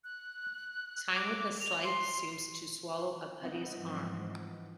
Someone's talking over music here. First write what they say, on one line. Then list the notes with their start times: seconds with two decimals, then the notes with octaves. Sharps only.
Time with a scythe seems to swallow a putti's arm.
0.04 F#6
1.14 D6
1.60 F7
1.84 C6
3.42 C3 G3 B3 C4 D#4
3.77 G#2 E3 F3